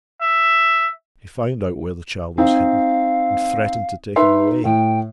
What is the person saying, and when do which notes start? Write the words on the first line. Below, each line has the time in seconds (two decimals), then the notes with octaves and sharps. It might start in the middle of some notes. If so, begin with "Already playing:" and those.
He found out where the child was hidden, and threatened to take him away.
0.22 E5
2.38 C4 D#4 F5
4.16 D#4 B4 E5 C6
4.65 A2 G5